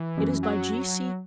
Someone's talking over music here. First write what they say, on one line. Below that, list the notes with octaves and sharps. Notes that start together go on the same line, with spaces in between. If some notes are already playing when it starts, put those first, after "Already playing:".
It is by G.C.
Already playing: E3
F#2
F#3